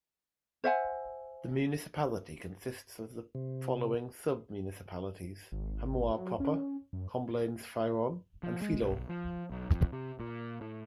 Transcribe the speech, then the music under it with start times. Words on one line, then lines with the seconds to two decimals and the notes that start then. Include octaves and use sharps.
The municipality consists of the following sub-municipalities: Hamoir proper, Comblain-Fairon, and Filot.
0.64 C5 E5 F#5 G#5
3.35 C3
5.52 G#1
6.11 F#3
6.40 C#4
6.93 F#2
8.43 F3
8.62 G#3
8.82 B1
9.09 F3
9.51 B1
9.73 F2
9.92 C3
10.20 A#2
10.61 A2